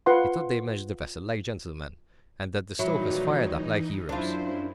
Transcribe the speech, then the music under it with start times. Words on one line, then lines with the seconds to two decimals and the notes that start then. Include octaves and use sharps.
He thought they managed the vessel like gentlemen, and that the stokers fired up like heroes.
0.06 F4 B4 F#5 C6
2.79 A#2 D#3 E3 F#3 G3 D#4 E4
4.09 F#2 F#3 D4 E4 F4 C5